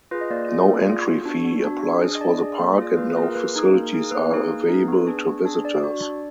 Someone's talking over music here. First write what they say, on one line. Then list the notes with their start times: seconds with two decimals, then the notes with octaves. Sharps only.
No entry fee applies for the park and no facilities are available to visitors.
0.11 F4 G#4 B4
0.21 D#5
0.30 A#3 D5
0.49 F4 G#4
0.68 A#3
0.87 F4 G#4
1.07 B3
1.25 D4 F#4
1.45 B3
1.64 D4 F#4
1.83 D4
2.02 G#4
2.15 D#5
2.21 D4 D5
2.39 G#4
2.59 A#3
2.78 F4 G#4
2.97 A#3 B4
3.10 B4
3.16 F4 G#4
3.22 A#4
3.35 A#3 B4
3.54 D#4 G#4
3.74 A#3 A#4
3.93 D#4 G#4
4.11 A#3 B4
4.31 D#4 G#4
4.50 A#3
4.69 D#4 G#4
4.88 B3
5.07 D4 G#4
5.26 B3
5.45 D4 G#4
5.64 D4 D5
5.83 F#4
6.02 D4